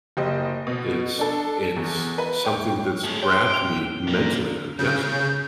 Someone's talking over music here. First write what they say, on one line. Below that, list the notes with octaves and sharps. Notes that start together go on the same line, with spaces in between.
it's it's something that's grabbed me mentally, I'm guessing.
F#1 G4 C5 D#5
B2
D4 A4
E2
B4
C#5 G5
A3 G#4
C#5 G5 C6
D7 F7
A#2 A#3
C#3 G6